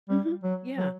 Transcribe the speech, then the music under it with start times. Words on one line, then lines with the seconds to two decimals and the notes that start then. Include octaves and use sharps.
Mhm. Yeah.
0.09 G3
0.44 F#3
0.78 F#3